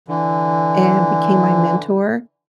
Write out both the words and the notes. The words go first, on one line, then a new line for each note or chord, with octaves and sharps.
and became my mentor,
D3 E3